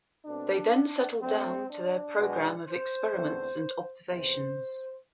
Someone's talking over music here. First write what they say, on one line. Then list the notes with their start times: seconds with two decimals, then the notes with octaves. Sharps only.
They then settled down to their program of experiments and observations.
0.25 B2 A3 C4 D4
1.21 D2 D3 A3 C4
1.69 D4
2.18 B2 G#3 B3
2.66 C5
3.14 E2 D3 A3 C4
4.09 E2 C3 E3 C5